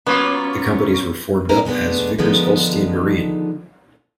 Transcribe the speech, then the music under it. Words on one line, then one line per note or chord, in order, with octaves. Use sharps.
The companies were formed up as Vickers Ulstein Marine.
F#3 A#3 B3 C#4 F4
A#3 C#4 D#4 A#4 B4 D#5
B2 G#3 A3 B3 D4
D3 D#3 F3 G#3 B3 D#4